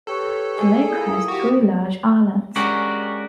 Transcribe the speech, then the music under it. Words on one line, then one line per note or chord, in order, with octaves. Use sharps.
The lake has three large islands.
G4 A4 B4 C#5
G#4
A#2 E4 D#6
F#4 G4
G#3 C#4 D4 F#4 G4 A#4